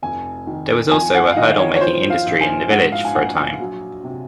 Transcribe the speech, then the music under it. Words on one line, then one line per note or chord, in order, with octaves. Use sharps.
There was also a hurdle-making industry in the village for a time.
F1 G#5
D#3
F2 G#5
F#5
F5
D#3 D#5
C#5
C#5
F3 C5
F5
A#1
G#5
G#2 F#5
F5
G#5
A#1 F#5
G#5
F#3
C3